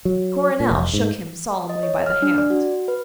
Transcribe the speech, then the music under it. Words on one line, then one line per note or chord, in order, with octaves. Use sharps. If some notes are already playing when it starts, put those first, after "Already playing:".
Coronel shook him solemnly by the hand.
F#3
A#2
F1
G#2
D#5
C#5
F6
D4
D5
F#4
B4